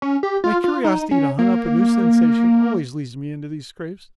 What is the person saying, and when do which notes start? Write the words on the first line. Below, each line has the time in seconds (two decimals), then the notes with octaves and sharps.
My curiosity to hunt up a new sensation always leads me into these scrapes.
0.02 C#4
0.23 G4
0.44 F4
0.64 F4
0.85 D#4
1.11 C#4
1.39 A#3